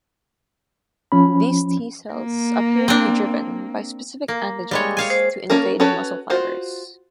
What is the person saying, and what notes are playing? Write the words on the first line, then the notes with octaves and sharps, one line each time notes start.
These T cells appear to be driven by specific antigens to invade muscle fibers.
F3 C#4 B5
A#3
C4 D4
A#3
G3 G#3 C#5
C#5 F5 G#5
C5
A#3 C#4 A4 A#4
C#4 F#4 A4 B4 C#5
F4 F#4 C5